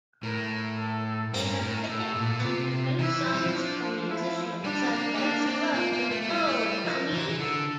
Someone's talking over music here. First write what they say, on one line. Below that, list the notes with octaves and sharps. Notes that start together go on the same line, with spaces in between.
They have written and produced songs for musicians such as Club Nouveau, Tony!
A2 A#4
A4
G2 A#4
A2
A2 A4
A#2
C3 F4
E3 E4
F3
G3
F3
D4
E4
G3 D4
C4
A#3
A3
A#3 D4
C4
A#3 F4
A#3
A3
A3
G3 E4
A3
G3
F3 A#4
E3
E3
D3 A4